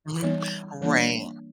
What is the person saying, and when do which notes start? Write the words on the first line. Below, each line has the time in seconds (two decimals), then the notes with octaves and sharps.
Mhm, right.
0.22 E3 G3 B3 D#4
0.82 E3 G3 A#3 D4 F4